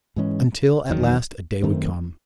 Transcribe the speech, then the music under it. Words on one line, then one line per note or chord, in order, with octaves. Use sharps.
Until at last a day would come....
G#2 E3 G#3 C#4
F#1 E2 D#3 F#3
F#2 D#3 A3 C4